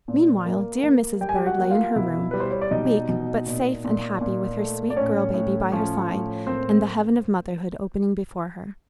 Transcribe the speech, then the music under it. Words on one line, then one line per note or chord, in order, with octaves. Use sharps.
Meanwhile dear Mrs. Bird lay in her room, weak, but safe and happy with her sweet girl baby by her side and the heaven of motherhood opening before her.
A#2
A#3
A#3
G3 G5
G#5
G4 G5
F#4 F#5
A#3
F4 F5
B2 E4 E5
G3 B4
C5
C#5
D5
B2 D#4 D#5
B2
A#2
A#2
A#2
A3
D5
A2 C#4 C#5
A2
F3 C#4 C#5
A2
A#3 C4 C5